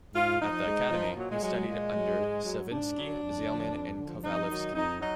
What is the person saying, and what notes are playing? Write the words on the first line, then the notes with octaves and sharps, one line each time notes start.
At the Academy, he studied under Savinsky, Zaleman and Kovalevsky.
G#2 F4
F3 D#4
G#2
F3
A#2 F#3
G#3
F#3 G#3
G#3
A#2
F#3
G#2
F#3
G#2 D4
F#3
F2
D3 F3
F2
D3 F3
F2 D#4
D#3 F#3
F2 D#4
F#3 D#4